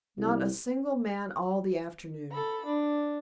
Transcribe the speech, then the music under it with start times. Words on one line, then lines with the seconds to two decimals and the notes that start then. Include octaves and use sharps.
Not a single man all the afternoon.
0.18 C2
2.31 A4 B5
2.66 D4